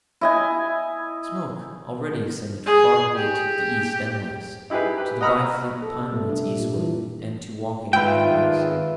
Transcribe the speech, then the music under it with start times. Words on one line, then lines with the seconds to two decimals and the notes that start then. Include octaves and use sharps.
The smoke already extended far away to the east and west--to the Byfleet pine woods eastward, and to Woking on the west.
0.21 E4 D#5 G#5
2.66 G#4
3.15 G4
4.70 D#4 E4 G4 G#4 B4
4.98 G4 B4
5.21 D#5 F#5 A#5 B5 E6 F6
5.82 A4
5.97 C3
6.13 A3
6.30 D4
6.45 G3
6.60 A#2
6.74 E3
7.93 G#2 D#3 F4 B4 E5 G5